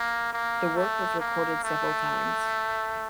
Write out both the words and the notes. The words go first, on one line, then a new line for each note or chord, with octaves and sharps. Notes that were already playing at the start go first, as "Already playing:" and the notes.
The work was recorded several times.
Already playing: A#3
A#3
A3
A#3
A3